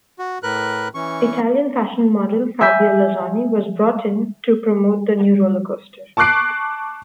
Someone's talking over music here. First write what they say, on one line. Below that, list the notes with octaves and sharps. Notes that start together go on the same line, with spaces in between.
Italian fashion model Fabio Lanzoni was brought in to promote the new roller coaster.
F#4
A2 A#4 B4 F#6
E3 C#4 C#6
E5 G#5 G6 B6
A5 C#6 D6 F#6 C7 D7